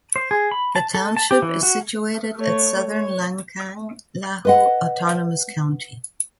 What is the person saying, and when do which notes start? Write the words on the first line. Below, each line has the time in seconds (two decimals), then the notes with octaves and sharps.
The township is situated at southern Lancang Lahu Autonomous County.
0.16 C5
0.31 G#4
0.51 B5
0.76 A5
0.95 A4
1.17 A5
1.31 G4
1.42 E3
1.63 F#4
2.36 A3 C#5
2.91 C#5
4.45 B4 D#5 F#5